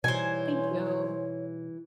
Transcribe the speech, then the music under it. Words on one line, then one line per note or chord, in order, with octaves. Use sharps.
Thank you.
B2 E3 G3 D#4 C5 C#5 G#5